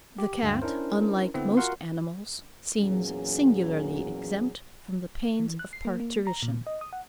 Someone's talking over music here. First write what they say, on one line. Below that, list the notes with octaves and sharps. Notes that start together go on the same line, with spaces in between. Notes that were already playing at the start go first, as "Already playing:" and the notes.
The cat, unlike most animals, seems singularly exempt from the pains of parturition.
G4
D2 G2 F5 G5
C#4 D4 E4 A#4 C5
D3 B3 C4 E4
F4 F#4 A#4 F5 F#5 C6
E2 A#2 F#3 C#4 G#4
E3
F#6
C7
A#3
A#3
A#5
A#2
D#5
D#6
F#5